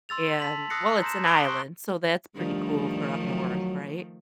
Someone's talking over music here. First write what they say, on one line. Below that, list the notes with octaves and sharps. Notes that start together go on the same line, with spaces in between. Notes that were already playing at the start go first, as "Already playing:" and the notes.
and well, it's an island, so that's pretty cool for up north, right?
C6 E6 A6 F7
A5 B6 F#7
D#6 E6 F#6 A#6 C7 C#7
A#5 C6 G6 A#6 E7
D6 D#6 F#6 C7 D7 G7
C6 C#6 F#6
D#3 F3 G3 A3 D4
F#3